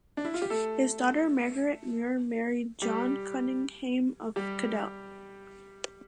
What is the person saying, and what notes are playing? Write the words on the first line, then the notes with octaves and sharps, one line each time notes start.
His daughter Margaret Muir married John Cuninghame of Caddel.
D4
E4
F4
G4
A3 A4
G3 G4
G3 G4